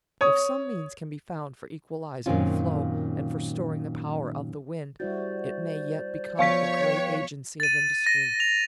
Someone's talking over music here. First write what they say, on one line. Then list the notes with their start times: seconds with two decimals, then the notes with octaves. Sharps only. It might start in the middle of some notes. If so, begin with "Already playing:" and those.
If some means can be found for equalizing the flow and for storing the power of the wind, it may yet become a great agency of industry.
0.21 C#5 D#6
2.26 F#2 A#2 D#3 C4 C#4 F4
5.00 G3 E4 F#4 C5 D5
6.39 F3 B3 C#5 F5 C#6 B6
6.83 B4 G5
7.60 A6 D#7
8.06 A#6
8.40 F7